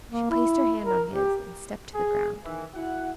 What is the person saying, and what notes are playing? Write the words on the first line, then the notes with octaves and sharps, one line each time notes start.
She placed her hand on his, and stepped to the ground.
A#3
E4
A#4
G4
G#4
D#3 E3
E4 F#4 F#5